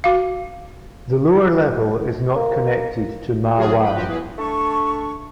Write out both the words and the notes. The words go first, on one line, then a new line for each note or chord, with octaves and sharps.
The lower level is not connected to Ma Wan.
F#4 F5
A#3
C3 F#3 F4 F#4 G#4
B4 G5 B5
F3 F#4 G4 B4
B3 E4 G#4 B4
A3 D4 A5 C#6